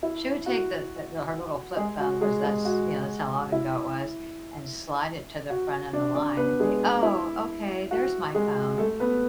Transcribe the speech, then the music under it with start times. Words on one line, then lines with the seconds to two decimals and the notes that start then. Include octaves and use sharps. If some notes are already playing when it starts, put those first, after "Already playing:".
she would take the the her little flip phone, 'cause that's you know, that's how long ago it was, and slide it to the front of the line and be, "Oh, okay, there's my phone."
0.03 E4
0.46 F#4
1.77 G#3 G#4
1.99 F#4
2.21 G#3 G#4
2.43 G#3 G#4
2.65 F#4
3.52 E4
5.50 F#4
5.93 D4 D5
6.15 D4 D5
6.37 B3 B4
6.60 G#3 G#4
7.03 E4
7.91 F#4
8.35 G#3 G#4
8.78 A3 A4
9.00 B3 B4